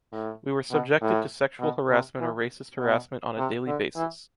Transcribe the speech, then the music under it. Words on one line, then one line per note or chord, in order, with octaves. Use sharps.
We were subjected to sexual harassment or racist harassment on a daily basis.
A2
B2
A2
B2
C3
E3
B2
C3
D3
E3